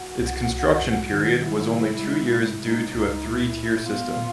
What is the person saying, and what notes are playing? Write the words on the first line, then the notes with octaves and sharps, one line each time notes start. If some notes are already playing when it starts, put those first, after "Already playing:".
Its construction period was only two years due to a three-tier system.
Already playing: F#4
C2
C2
F2
D#3
G3 E4
C3
G#3
C3
G#3 D#4
C#2 D#4
A#2 E4
A#2
B3 F4
A#2